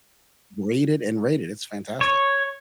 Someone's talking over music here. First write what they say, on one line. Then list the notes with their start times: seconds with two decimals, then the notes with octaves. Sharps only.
rate it and rate it, it's fantastic.
2.01 C#5